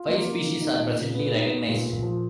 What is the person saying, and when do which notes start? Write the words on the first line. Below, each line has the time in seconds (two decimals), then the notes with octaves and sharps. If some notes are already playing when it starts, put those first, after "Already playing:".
Five species are presently recognized.
Already playing: F4
0.08 A#3
0.25 A#3
0.43 D#3
0.61 D#4
0.79 A#2
0.97 A#2
1.14 B3
1.32 D#4
1.49 B3
1.68 A#2
1.85 A#2
2.03 F3